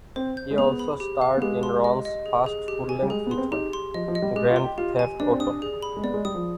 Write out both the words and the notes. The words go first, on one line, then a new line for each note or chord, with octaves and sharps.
He also starred in Ron's first full length feature, "Grand Theft Auto".
C4 C5
G6
G#3
B3 G#4
B5
G4
F5
B3
G#3 G4
C6
D#5
D#5
G#4
G#4
G4
G#5
G3
G#3 G#4
B3 C6
C4
D#4 G4
C6
F3 D#5
F3
D#5
G3
G#3 G4
F4
C6
G4
F4 G4
G#5
D4 D5
C4
D4 D#6
G#4
B5
G#3
B3 D5
G#3
G3 D#6
F3